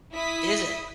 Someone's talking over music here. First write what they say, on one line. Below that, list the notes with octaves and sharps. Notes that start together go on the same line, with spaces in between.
Is it?
E4 D#6 B6